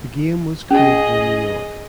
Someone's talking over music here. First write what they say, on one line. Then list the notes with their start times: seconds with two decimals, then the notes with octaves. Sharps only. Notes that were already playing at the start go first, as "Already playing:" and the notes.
The game was created in New York.
0.71 C#4 G#4 D#5